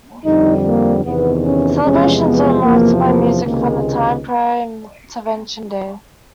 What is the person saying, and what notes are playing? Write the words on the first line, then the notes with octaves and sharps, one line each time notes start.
Celebrations were marked by music from the time prior intervention day.
F2 D3 G3 D#4
A#3
E2 C3 D#3 B3
C#4
E2 C3 F3 G#3 C#4
B3
E2 C3 F3 A#3
A#3
C#2 C3 D#3 G#3 A#3